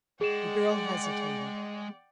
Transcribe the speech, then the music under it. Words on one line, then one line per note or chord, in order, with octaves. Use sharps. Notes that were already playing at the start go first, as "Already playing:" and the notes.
The girl hesitated.
G#3 G#4 D5 F#5 G5 E7